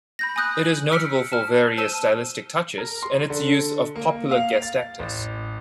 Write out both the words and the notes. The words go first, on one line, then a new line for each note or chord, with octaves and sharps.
It is notable for various stylistic touches, and its use of popular guest actors.
B5 G6 A#6
G#5 B5 D#6 F#6 G6
F#7
E6 F6 B6 C#7 D7
A5 F6
C5 A5 E6 D#7 E7 G7
A#4
C6
D3
A#3
F5
A6
A1